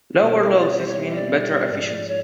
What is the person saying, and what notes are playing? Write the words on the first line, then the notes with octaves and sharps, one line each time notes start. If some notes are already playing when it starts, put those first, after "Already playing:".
Lower losses mean better efficiency.
B2 G3 C4 E4 G4 A#4
D5
C#5
C5
C#5
D#5
D5
G#2 F3 G#3
C#5